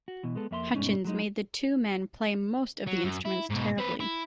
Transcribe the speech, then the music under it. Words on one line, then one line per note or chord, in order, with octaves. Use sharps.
Hutchins made the two men play most of the instruments terribly.
F#4
B2 E3
G#3 B3 A4
F2 A#3 E5 B5 C6
G2 B2 G#3 C#4 D#4
F#3 G#3 D#4
F#3
F#2
E4
G#2 B2
C4 B4
E4